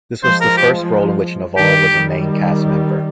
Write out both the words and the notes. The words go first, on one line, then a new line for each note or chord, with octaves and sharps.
This was the first role in which Neval was a main cast member.
F3 G#3 C5
A#4
G4
D#3 G3 G4
D#3 G3